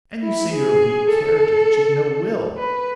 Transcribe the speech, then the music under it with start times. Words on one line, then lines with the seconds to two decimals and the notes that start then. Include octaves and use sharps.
"And you say you're a weak character, that you've no will."
0.23 E4
0.53 G#4
1.10 A4
2.57 B4